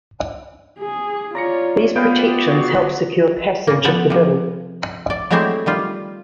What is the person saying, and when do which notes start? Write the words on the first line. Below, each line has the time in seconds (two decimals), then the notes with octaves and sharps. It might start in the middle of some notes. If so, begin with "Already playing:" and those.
These protections helped secure passage of the bill.
0.79 G#4
1.35 F4 C#5 D5 A#5 A#6 C#7
1.96 B3 F4 B4 D5 F5 G5
2.47 F#4 G#4
3.67 C#3 A#3
3.85 F3 B3 A4
4.10 C3 F3
5.10 D5
5.31 F#3 G#3 A3 C4 E4 G4
5.66 D#3 G3 F4